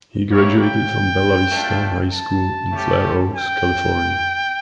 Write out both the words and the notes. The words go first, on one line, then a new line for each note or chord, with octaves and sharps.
He graduated from Bella Vista High School in Fair Oaks, California.
A#3 E4 G4 C#5
G5
A3 D4 F4
A5
A3 C#4 G4
G5